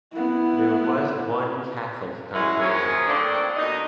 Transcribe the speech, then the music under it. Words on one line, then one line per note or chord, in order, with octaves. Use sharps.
There was one Catholic congregation.
B3 E4
F#2 E3 G#3 C#4 E4
D#2 F3 C#4 G#4 A#4 C#5
F2 A3 A#3 C4 D4
D#2 B2 D#4 D#5